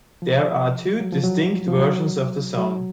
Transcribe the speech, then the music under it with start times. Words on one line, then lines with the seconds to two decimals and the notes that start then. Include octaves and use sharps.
There are two distinct versions of the song.
0.22 F3
1.00 F#3
1.12 F3
1.23 F#3
1.68 F3
1.79 F#3
2.57 F#3